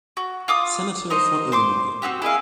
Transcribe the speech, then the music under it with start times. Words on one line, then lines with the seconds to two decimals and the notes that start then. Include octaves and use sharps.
Senator for Illinois.
0.17 F#4
0.48 F4 D6 D#6
1.10 D#4 A#4 C5 D#5
1.52 C5 C6 D6
2.02 C4 D#4 F#4 G4
2.22 E4 G#4 D#5 F5